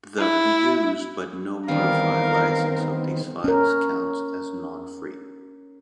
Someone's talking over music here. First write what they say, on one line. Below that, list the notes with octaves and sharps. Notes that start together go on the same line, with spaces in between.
The "use, but no modify" license of these files counts as non-free.
E4
E2 D#3 G3 B3 C4 A#4 F5
C#4 A#4